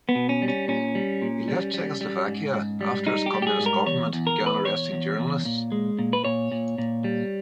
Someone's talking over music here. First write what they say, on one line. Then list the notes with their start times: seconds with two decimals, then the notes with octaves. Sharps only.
He left Czechoslovakia after its Communist government began arresting journalists.
0.09 B3
0.15 B2
0.29 C#4
0.42 G3
0.48 C#4
0.68 A#2 C#4
0.95 G3
1.22 A#2
1.48 G3
1.74 G3
2.01 G3
2.27 G#2
2.54 G#2
2.81 G3
3.07 G3 D#4
3.26 G4
3.34 G3
3.42 G4
3.47 G#4
3.60 G#2
3.66 A#4
3.86 E2 C#5
4.13 E2
4.27 A#4
4.39 E2
4.46 B4
4.65 E2 C#5
4.92 E2
5.19 E2
5.45 A#2
5.72 G#3
5.99 A#2
6.13 B4
6.25 A#2 C#5
6.52 A#2
6.78 A#2
7.04 G3